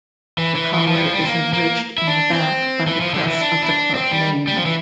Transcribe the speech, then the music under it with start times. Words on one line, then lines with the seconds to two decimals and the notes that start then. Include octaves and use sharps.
The collar is enriched in the back by the press of the Club name.
0.38 E3
0.55 E3
0.74 E3
0.87 F3
0.95 G3
1.00 F3
1.13 G3
1.20 C4
1.27 A#3
1.53 A#3
1.98 E4
2.07 D4
2.33 C4
2.87 E3
3.01 F3
3.14 D3
3.28 E3
3.34 E4
3.41 D4
3.62 E4
3.68 D4
3.94 C4
4.12 G3
4.47 G3
4.57 F3
4.66 E3